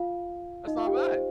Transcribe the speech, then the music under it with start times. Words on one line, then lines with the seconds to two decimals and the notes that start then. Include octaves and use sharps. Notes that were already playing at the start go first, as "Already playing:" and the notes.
That's not bad."
Already playing: F4 F5
0.67 D#4 D#5
0.77 F4 F5
0.86 G4 G5
0.96 C5
1.07 C5